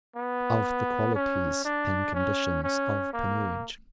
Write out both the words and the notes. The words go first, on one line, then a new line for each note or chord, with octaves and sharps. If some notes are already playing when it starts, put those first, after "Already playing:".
Of the qualities and conditions of Panurge.
B3
C#4
D4
C#4
C#4
A#3